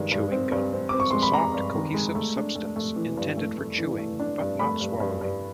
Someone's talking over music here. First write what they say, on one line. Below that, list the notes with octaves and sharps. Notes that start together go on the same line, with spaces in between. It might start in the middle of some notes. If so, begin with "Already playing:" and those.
Chewing gum is a soft, cohesive substance intended for chewing but not swallowing.
Already playing: G2 D#3 G#3
G2
C4
G2
C4
C4 D6
C#6
G#3 C6
B5
G#3 A#5
G2
D#3
G#3
A3
D4
A3
A3
E3
G2
A3
A3
E3
A3
D4
G2
A3 B5
G2
G2
G2